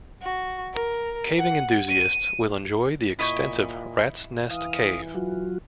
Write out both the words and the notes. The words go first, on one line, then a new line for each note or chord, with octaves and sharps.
Caving enthusiasts will enjoy the extensive Rat's Nest Cave.
F#4
A#4
F#5
D#7
A#2 E4 D#5 C#6
E3 F5 D#6
F#3 F4 F#4